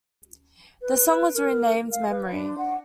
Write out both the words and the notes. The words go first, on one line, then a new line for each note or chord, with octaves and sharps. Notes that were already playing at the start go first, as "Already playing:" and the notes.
The song was renamed "Memory".
B4
B4
A#4
F5
B4
D4
F#5